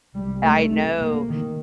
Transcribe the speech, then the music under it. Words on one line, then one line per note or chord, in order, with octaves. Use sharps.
I know,
C2 C3 G3
A3
A3
A#3
D#3